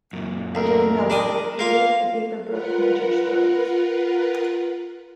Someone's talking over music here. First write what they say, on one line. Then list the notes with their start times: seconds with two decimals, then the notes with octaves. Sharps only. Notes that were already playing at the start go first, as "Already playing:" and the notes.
During the latter period, the paper broke major stories.
0.13 F#2 A#2
0.55 D2 A#4
1.10 D4 D#6
1.59 A#3 F4 F5
2.47 F4 A#4 B4 F#5